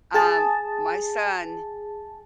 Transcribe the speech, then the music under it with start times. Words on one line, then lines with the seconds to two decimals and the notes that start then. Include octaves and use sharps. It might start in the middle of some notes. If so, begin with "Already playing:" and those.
um, my son,
0.14 G#4 A5